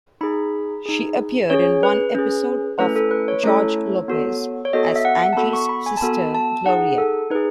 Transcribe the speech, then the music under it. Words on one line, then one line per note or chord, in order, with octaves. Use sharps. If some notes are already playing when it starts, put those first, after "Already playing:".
She appeared in one episode of "George Lopez" as Angie's sister, Gloria.
D#4 G#4 B5
D#4 G#4
C#4 G#4 C#5
B4
C#4 G#4
A3 C#4 E4 A4 B4
A4
B4
C#5
A3 C#4 E4 A4
B3 F#4 A4
C#5
B3 F#4 A4 D#5
E5
F#5
A5
B3 F#4 A4 B5
C#6
B5
G#5
A5
B3 F#4 A4 B5
A5
D#4 G#4 F#5
A4
D#4 G#4 B4